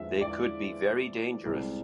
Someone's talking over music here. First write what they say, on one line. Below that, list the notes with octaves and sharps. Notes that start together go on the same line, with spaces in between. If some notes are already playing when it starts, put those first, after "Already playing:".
They could be very dangerous.
Already playing: E2 D3 F3 G#3 E5
D5
C2 C3 G#3